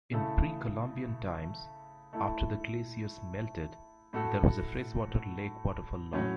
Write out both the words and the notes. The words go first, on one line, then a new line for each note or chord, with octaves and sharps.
In Pre-Columbian times, after the glaciers melted, there was a freshwater lake waterfall long.
C#3 A3 E4 A4
A3 E4 A4
A2 A3 F#4 A4
A2 F#3 C#4 F#4